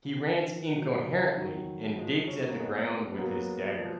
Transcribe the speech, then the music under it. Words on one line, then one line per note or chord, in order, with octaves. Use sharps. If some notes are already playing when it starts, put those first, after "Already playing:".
He rants incoherently and digs at the ground with his dagger.
D#3
F3
D#3
D#3 F#3
C#3 F3
D#3 F#3
F3 G#3
C#4
B3
A#3
G#3 B3
B3
F#3 A#3
F3 G#3